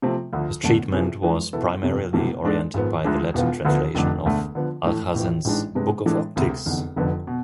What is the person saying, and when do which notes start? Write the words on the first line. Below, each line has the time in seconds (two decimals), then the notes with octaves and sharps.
His treatment was primarily oriented by the Latin translation of Alhazen's "Book of Optics".
0.02 C3 F3 A3 C4
0.33 D2 D3 F3
0.63 E1 E2 D3 A3
0.92 C3 F3 B3 E4 G#4
1.23 F2 E3 G#3 B3
1.53 E2 B2 B3 E4 A4
1.83 F1 F2 C3
2.13 E1 E2 C3 E3 A3
2.44 G#2 G#3 D4 A4 D5
2.74 G#1 G#2 F3 B3
3.04 D2 D3 F3 G#3 D4
3.34 E1 E2 B2 B3 F4
3.65 D2 D3 F3 B3
3.95 F1 F2 D3 A3 D4
4.25 E1 D2 D3 A3
4.55 D3 F3 B3
4.85 A2 E3 A3
5.14 A1 A2 F3 B3
5.45 A1 G#2 E3 G#3 D4
5.75 C3 G#3 B3 D4
6.06 A2 E3 G#3 D4 A4
6.36 E1 D2 C3
6.66 F1 E2 D3
6.96 F1 F2 D3 F3 B3
7.27 B2